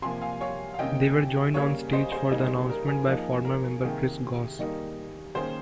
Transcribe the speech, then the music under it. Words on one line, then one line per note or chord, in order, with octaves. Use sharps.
They were joined on stage for the announcement by former member Chris Goss.
C3 F3 A#3 G#5 C6
F5 G#5
C#5 F5
F5
C3 D#3 A#3 C#4 D#5 G5
C#3 G3 A#3 C#4 C#5 F5
C5 D#5
G#4 C5
C#3 G3 A#3 D#4
A#4
G#4
F3 A#3 D#4
A#4
C3 D#3 A#3 G#4
D#3 G3 A#3 D#4
D#3 A#3 C#4 G#4 C5